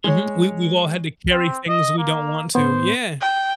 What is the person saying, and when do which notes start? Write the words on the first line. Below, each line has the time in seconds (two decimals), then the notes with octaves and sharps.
Mhm, we we've all had to carry things we don't want to, yeah.
0.04 G#3 C#5
1.32 C4
1.68 D#5
1.98 A#3
2.55 A2 B3 C5
3.21 G5